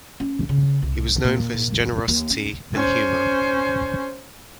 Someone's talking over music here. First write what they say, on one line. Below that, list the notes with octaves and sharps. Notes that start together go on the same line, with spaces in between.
He was known for his generosity and humor.
C#4
C#3
C2
A#2
D#2
C#4
C#4 C5